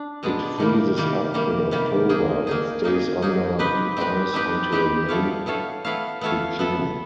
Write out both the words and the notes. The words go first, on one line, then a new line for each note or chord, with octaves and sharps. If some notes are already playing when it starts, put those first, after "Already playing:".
It freezes up in October and stays under the ice until May-June.
Already playing: D4
B2 G#3 B3 D4
C3 D#3 G3 A#3
C3 D#3 G3 A#3
C3 D#3 G3 A#3
C3 D#3 G3 A#3
A#3 D#4 G#4
A#3 D#4 G#4
A#3 D#4 G#4
A#3 D#4 G#4
C4 D#4 G4 B4
C4 D#4 G4 B4
C4 D#4 G4 B4
C4 D#4 G4 B4
B3 E4 A4 C#5 F5
B3 E4 A4 C#5 F5
B3 E4 A4 C#5 F5
B3 E4 A4 C#5 F5
B3 E4 A4